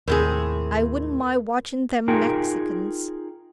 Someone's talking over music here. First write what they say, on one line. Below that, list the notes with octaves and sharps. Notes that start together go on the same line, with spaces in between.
I wouldn't mind watching them Mexicans.
D#2 A2 C3 G#4 A#4
D#4 F4 G#4 A#4 G5